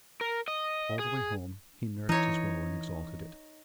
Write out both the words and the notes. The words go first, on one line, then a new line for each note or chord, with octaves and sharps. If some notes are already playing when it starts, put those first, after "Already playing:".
All the way home he nursed his woe and exalted it.
A#4
D#5
G#4
E3 D#4 C#5